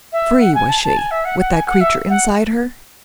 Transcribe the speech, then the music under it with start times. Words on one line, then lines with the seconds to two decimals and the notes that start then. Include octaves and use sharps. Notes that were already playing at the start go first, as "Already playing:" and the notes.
FREE was she, with that creature inside her?
0.12 E5
0.40 F#5
0.54 G#5
0.69 A5
0.83 A5
0.97 G#5
1.11 E5
1.25 F#5
1.39 F#5
1.52 G#5
1.67 F#5
1.80 E5
2.09 F#5